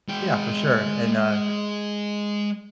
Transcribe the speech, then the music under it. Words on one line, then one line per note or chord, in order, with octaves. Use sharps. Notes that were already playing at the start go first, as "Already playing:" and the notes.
yeah, for sure and, uh,
G#3 G5